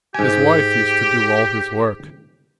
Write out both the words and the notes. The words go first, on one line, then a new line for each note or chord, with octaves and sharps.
His wife used to do all his work.
G#2 G4 G#5